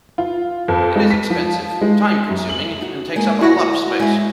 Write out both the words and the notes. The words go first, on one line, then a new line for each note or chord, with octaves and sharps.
It is expensive, time consuming and takes up a lot of space.
F4
F2
G#3
B6
F3
G#3
F#2
F#7
D#4 F#4
G#3 A#3
D2 E4 F#4 F#5 A#6
G#3 E5